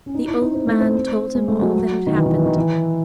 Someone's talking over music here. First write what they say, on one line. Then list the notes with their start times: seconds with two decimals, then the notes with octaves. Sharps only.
The old man told him all that had happened.
0.06 C#4
0.14 D#4
0.28 E4
0.42 D#4
0.54 C4
0.67 A3
0.80 C4
1.35 G#3
1.48 A3
1.62 F#3
2.07 D#3
2.15 E3
2.26 D#3
2.35 E3
2.46 D#3
2.56 E3